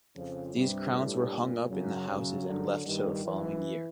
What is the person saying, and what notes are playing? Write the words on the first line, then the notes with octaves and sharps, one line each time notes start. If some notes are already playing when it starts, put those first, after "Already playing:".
These crowns were hung up in the houses and left till the following year.
F2 C#3 F3
G2 C3 G3
A2
A#2
F#2 C#3 F#3
F#2 C#3 F#3
D3
G2 D#3 G3
F#2 E3 F#3